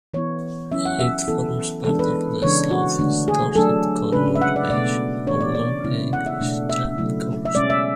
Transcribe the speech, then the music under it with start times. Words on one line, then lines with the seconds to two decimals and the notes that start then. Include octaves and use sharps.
It forms part of the South East Dorset conurbation along the English Channel coast.
0.14 E3 B3 E4 C#5
0.72 F#3 C#4 E4 E5
0.85 F#5
1.00 E5
1.28 E3 B3 E4 A4
1.85 E3 G#3 B3 D4 A4
1.99 B4
2.42 C#3 E3 G#3 D4 C#5
2.71 F#4
2.99 D3 A3 D4
3.28 G#4
3.56 F#3 A3 D4 A4
4.12 C#3 G#3 D4 B4
4.35 E5
4.41 F#5
4.56 D5
4.70 B2 A3 D4 D5
5.27 E3 B3 D4 C#5
5.41 D5
5.55 D5
5.84 C#3 G#3 B3 E4
6.13 F#5
6.26 E5
6.41 B2 A3 D4
6.69 E5
6.98 C#3 F#3 A3 E4
7.45 E5
7.55 B2 G#3 C#4 D5
7.70 E5